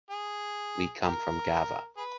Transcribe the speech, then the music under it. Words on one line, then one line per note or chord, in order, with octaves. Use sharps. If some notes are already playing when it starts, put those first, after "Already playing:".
We come from Gavà.
G#4
G4 A#4
G#4 B4